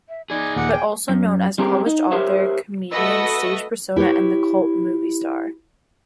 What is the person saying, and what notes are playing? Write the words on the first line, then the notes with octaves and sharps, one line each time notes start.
But also known as a published author, comedian, stage persona and cult-movie star.
E5
D#4 G#4 D5 G#6
D#2 A#2 F#5 D6
G5 G#5
F#2
G3 C4 G4 G#4 A#4
D#4
G4 A#4 C5 C#5 E5
A3 F#4 B4 D#5 E6
E4 G4 B4 C#5